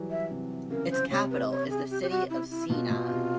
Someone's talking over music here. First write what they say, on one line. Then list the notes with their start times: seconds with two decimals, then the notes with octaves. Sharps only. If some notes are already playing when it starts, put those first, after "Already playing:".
Its capital is the city of Siena.
Already playing: E3 F#3 G3
0.11 E5
0.31 C3
0.70 C#3 A#4
0.91 C5
1.11 C3 C#5
1.31 B4
1.51 C#5
1.70 G#4
1.90 G4
2.03 G4
2.10 F#4
2.30 E4
2.50 E4
2.70 B2 F4
2.90 B2
3.10 C3